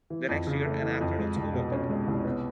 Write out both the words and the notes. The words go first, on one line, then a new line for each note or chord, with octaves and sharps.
The next year, an afternoon school opened.
E3
F2
C#3
A3
E3
F2
G#3
C2
B2
C#4
G#3
C2
B3